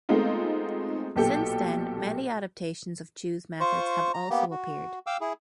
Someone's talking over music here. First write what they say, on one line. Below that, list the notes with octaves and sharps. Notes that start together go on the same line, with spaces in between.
Since then, many adaptations of Chu's methods have also appeared.
G#3 A3 B3 C4 D#4 F4
B1 A#2 G4 A4 G5
F4 C5 C#6
A#5
A#3 B3 G4
F#4
F5 G5 D6 E6
E4 G#4